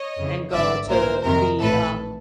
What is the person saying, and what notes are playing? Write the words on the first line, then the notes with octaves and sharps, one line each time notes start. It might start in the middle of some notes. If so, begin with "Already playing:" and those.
and go to the, um
Already playing: C#5 D#5
F2 C#3 E3
G#1 G2 D3 D5 E5
B1 A#2 A#4 C5
F2 C3 D#3 A#4
A#1 A2 E3 A4 B4